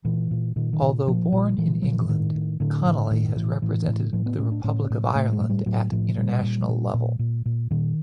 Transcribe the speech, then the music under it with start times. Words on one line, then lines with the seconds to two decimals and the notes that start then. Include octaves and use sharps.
Although born in England, Connolly has represented the Republic of Ireland at international level.
0.05 A#2 E3
0.31 A#2
0.56 A#2 D#3
0.73 D#3
0.82 A#2
1.07 A#2 F3
1.32 A#2
1.58 A#2 E3
1.82 A#2 F#3
1.92 F3
2.00 E3
2.09 A2 D#3
2.35 A2
2.60 A2 D3
2.85 A2
3.11 A2 D#3
3.36 A2 E3
3.62 A2 E3
3.88 A2
4.13 A2 F3
4.26 B3
4.38 A2 C#4
4.52 D4
4.64 A2 C#4
4.90 A2
5.15 A2 A3
5.33 G#3
5.41 A2
5.49 G3
5.66 A2 F#3
5.92 A2 F3
6.18 A#2 G3
6.43 A#2
6.69 A#2
6.94 A#2
7.19 A#2
7.46 A#2
7.71 A#2 D#3